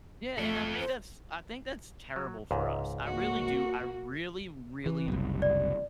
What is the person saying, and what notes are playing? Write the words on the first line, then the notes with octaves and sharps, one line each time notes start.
Yeah, and I think that's I think that's terrible for us, I really do. I really, really,
A3 F4 A4
C5
F#3
C#2 G#2
A#3 F#4
E3
F#1 C2
D5